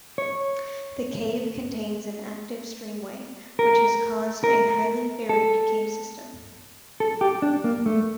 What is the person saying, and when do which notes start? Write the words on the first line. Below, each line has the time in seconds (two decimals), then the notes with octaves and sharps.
The cave contains an active streamway, which has caused a highly varied cave system.
0.18 C#5
3.59 A#4
4.44 A#4
5.29 A4
7.00 A4
7.21 G4
7.42 D4
7.64 A#3
7.86 A3